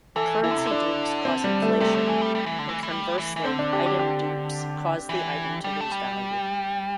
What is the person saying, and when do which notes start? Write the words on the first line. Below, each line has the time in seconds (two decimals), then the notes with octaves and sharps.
Currency dupes cause inflation and conversely item dupes cause the item to lose value.
0.16 E3 A4
0.43 E3 E4
0.51 D3
0.58 C3
0.66 D3
0.71 D4
1.25 C4
1.44 G3
1.62 A3
1.80 C3 A3
1.94 D3
2.08 E3
2.21 G3
2.35 G3
2.46 E3
2.59 D3
2.69 E3
2.83 E3
2.91 G3
3.18 E3
3.36 E3
3.45 D3 C4
3.59 D4
3.73 G4
3.86 G4
3.99 G4
5.09 E3
5.64 G3
5.81 A3
5.92 G3